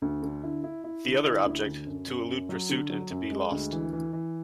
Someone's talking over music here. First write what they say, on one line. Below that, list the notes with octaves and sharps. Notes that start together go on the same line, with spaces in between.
The other object, to elude pursuit and to be lost.
D2
D3
E4
E4
E4
D3
E4
D2
D3
F#2
F#2
F#2
F#3
D3
F#3
F#2
G#3
D2
E3
E3
E3